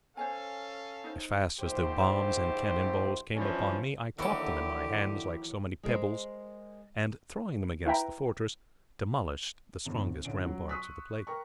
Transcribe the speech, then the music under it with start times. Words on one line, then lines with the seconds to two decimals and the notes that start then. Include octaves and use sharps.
As fast as the bombs and cannon-balls came upon me, I caught them in my hands like so many pebbles, and throwing them against the fortress, demolished the strongest ramparts of the place.
0.17 C#4 A4 C5 C#5 F5 G#5
1.04 D#4 C5
1.60 A#1 G#2 G4 C5
3.35 E3 F3 C#4 D4 E4
4.19 D#2 D3 E3 F#3 G4 A4
5.83 G#3 A#4 C5
7.86 E4 B4 E5 G5 A#5
9.85 G1 E2 G2
10.04 G#1
10.25 A1 D2 C#4 D7
10.46 F#3
10.69 C6 C#6 D#6 E6 F#6 B6
11.27 A#4 G5 A#5 C#6